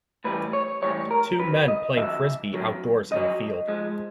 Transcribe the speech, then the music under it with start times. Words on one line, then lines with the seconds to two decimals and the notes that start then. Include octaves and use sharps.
Two men playing frisbee outdoors in a field.
0.24 A2 E3 G3 B4
0.53 C#5
0.82 A2 E3 G3 C#5
1.11 A#4
1.39 F#2 D#3 F#3 B4
1.68 D#5
1.96 F#2 D#3 F#3 E5
2.54 F#2 D#3 F#3
3.11 F#2 D#3 F#3 D#5
3.68 G#2 F3 G#3